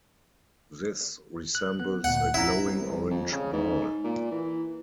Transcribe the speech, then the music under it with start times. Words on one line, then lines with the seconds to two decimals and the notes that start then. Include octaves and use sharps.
This resembles a glowing orange ball.
1.55 F#6
1.80 B3
2.04 D2 A#2 F#5
2.34 C#4 E4 A#5
2.67 C2
3.10 F2
3.32 C#3
3.52 G#2
4.04 A#2
4.31 E3